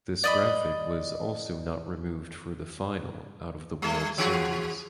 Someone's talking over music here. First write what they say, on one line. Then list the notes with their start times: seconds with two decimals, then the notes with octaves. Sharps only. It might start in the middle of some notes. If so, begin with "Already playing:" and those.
This graphic was also not removed for the final out of the World Series.
0.24 D5 D#5 B5
3.82 G3 A3
4.18 E3 F#4 G#4